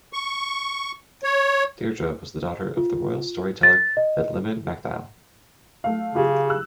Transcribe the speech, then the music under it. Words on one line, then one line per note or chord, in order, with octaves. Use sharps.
Deirdre was the daughter of the royal storyteller Fedlimid mac Daill.
C#6
C#5
F4
A6
D#5
A3 F5
C#3 F4 G4
E6 F#6